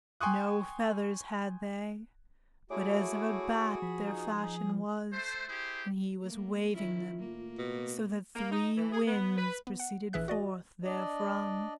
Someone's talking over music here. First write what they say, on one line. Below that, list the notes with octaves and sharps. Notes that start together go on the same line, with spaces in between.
No feathers had they, but as of a bat Their fashion was; and he was waving them, So that three winds proceeded forth therefrom.
G5 G#5 C6 C#6 D#6 F#6
A3 E4 F#4 G#4 C#5 D6
F3 B5
D#4
A3 C5
E4 G4 G#4 C5
A3 A#3
D#3 C#4 E4 F4
A2 A#3
B2
A#3
D#4
E3
G#4
B3
B4
B3
F#5
A#1 E3 G#4 E5 F#6
F#4 D5 D#5
D4 D5 D#5